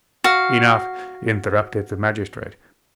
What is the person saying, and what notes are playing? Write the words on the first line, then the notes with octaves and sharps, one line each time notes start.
"Enough," interrupted the magistrate.
F#4 F5